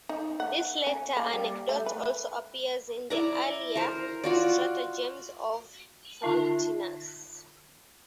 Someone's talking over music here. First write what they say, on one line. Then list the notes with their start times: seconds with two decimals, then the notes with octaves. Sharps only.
This latter anecdote also appears in the earlier "Stratagems" of Frontinus.
0.09 D#4
0.40 F#5
0.87 C#4
1.17 A#3
1.33 G3
1.69 A3
1.86 B4
3.10 E4 D5 A#5
3.76 A#4 C5
4.23 F4 F#4 D5
6.22 D3 D#4 F4 E5 A5